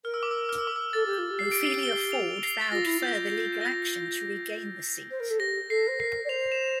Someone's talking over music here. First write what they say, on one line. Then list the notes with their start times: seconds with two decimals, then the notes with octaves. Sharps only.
Ophelia Ford vowed further legal action to regain the seat.
0.05 A#4 F6
0.14 E6
0.23 D6
0.31 E6
0.49 F6
0.58 E6
0.67 D6
0.76 E6
0.93 A4 A6
1.06 G4
1.18 F4
1.31 G4
1.39 C7
1.52 D7
1.65 C7
1.83 G7
2.12 F7
2.43 C7
2.61 A6
2.72 F4 A#6
2.86 E4
2.98 F4 G6
3.61 A#6
5.11 C5
5.20 A#4
5.30 A4
5.39 G4 A#6
5.69 A4 C7
5.88 C5
5.99 A#4 C7
6.25 D5
6.29 C5 F7
6.52 E7